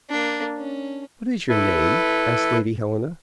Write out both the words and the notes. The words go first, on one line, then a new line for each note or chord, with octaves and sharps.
"What is your name?" asked Lady Helena.
A#3 D4
C#4
E4 A4 B4